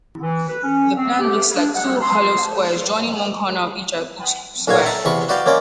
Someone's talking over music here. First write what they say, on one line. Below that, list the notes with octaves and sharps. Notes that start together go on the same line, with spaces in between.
The plan looks like two hollow squares joining one corner of each square.
E3
B4
C#4
C4
G4
D4
F#5
C6
B1 A#2 F#4 F5 G#5
E5 A5 A#5
E2 C3 B5 C#6
F#4 B4 D5 F5 G5
A#3 C4 C#4 D5 D#5